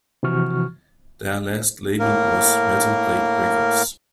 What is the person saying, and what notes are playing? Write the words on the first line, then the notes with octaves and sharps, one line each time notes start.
Their last label was Metal Blade Records.
C3 E3 F3 F#4 C#6 F6
A2 A#3 A#4